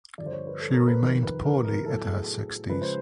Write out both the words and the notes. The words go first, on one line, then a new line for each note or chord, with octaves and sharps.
She remained poorly at her sixties.
G2 D3 F3 D5
C5
C#5
B4
A4
A#4
B4
F2 C3 D#3 A#4
B4
A#4
A#4
A2 F#3 B3 A4
G#4
C#3 F3 G#3 C#4 B4
C5